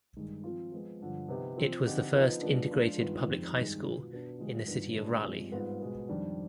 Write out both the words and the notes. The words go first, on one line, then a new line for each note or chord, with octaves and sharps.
It was the first integrated public high school in the city of Raleigh.
G2 D#3 G#3
F3 C4 F4
F3 G#3 B3
G2 D3 F3
C3 F3 B3 D#4 G4
F3 C4 F4
D3 F3 C4 D#4 G4
F3 B3 D#4
F3 G#3 B3 D4
F3 G#3 D4 F4
G2 D#3 G#3 B3 F4
F2 D#3 G#3 C4
G2 D#3 G#3
B2 B3 F4
B2 B3 D4
D3 F3 G#3 D4 G4
G2 D#3 B3 D4 F4
B2 G#3 B3 D4
G2 F3 G#3 C4 G4
G#2 G3 B3 F4
B2 G#3 B3
F2 D#3 G3 D4